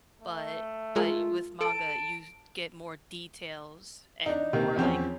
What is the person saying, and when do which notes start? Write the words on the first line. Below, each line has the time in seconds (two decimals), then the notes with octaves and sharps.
But but y with manga, you get more details and more, like
0.22 A3
0.96 G#3 F4 G#4 A#4
1.61 A4 A5 D7
4.26 D4 D#4
4.53 C3 D#3 A#3
4.76 E2 F3 C4 C#4